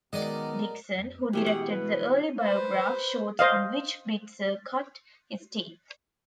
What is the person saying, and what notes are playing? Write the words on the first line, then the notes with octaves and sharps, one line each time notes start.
Dickson, who directed the early Biograph shorts on which Bitzer cut his teeth.
B2 D#3 F#3 G#3 B3 A#4 D5 D#5
F2
B2 E3 G4 G#4
F#5
B4
B4 C5
C5 D#5 F5